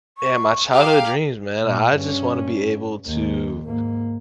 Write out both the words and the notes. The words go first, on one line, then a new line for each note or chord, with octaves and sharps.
Yeah, my childhood dreams, man, I just want to be able to
C#6
G4 F5 A#5
A#2
G2 C#4
D#2
G#2 A#3